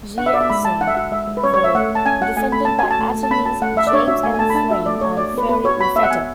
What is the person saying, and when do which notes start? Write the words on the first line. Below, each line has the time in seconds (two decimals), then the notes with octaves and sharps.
Gee and Sing were defended by attorneys James M. Frame and Fiore Raffetto.
0.18 D4 F#5
0.26 E5
0.33 F#4 D5
0.41 E5
0.50 G#3 B5
0.65 G#3 A5
0.80 D4 F#5
0.87 E5
0.95 F#4 F#5
1.11 G#3 E5
1.27 G#3
1.37 B4
1.43 C#4 C#5
1.54 C#5
1.58 F#4
1.64 E5
1.75 A3 F#5
1.91 A3 A5
2.06 C#4 G#5
2.21 F#4 F#5
2.37 A3 G#5
2.52 A3 B5
2.65 C#4 A5
2.79 F#4 G#5
2.91 A5
2.99 A3
3.14 A3
3.23 A5
3.31 C#4 B5
3.45 F#4 A5
3.62 A3 F#5
3.77 A3 E5
3.87 D5
3.93 D4 C#5
4.08 F#4 E5
4.23 A3 G#5
4.34 G#5
4.39 A3 A5
4.50 B5
4.55 D4 A5
4.70 F#4 E5
4.86 A3 D5
5.01 A3 C#5
5.17 F#4 D5
5.34 B3 B4
5.49 B3 B4
5.64 F#4 C#5
5.80 F#4 B5
5.96 B3 E5
6.03 F#5
6.11 B3 G#5